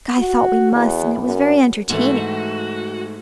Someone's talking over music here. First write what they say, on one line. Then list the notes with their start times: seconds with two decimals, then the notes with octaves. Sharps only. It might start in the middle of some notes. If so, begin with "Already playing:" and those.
'Guy thought we must, and it was very entertaining.
0.19 F#4
0.72 E2
1.24 F#2
1.90 G#2 E3 A3 F#4